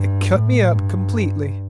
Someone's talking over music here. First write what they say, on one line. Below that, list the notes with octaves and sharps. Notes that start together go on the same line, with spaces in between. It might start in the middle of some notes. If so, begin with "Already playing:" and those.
"It cut me up completely."
Already playing: G2
A2
G2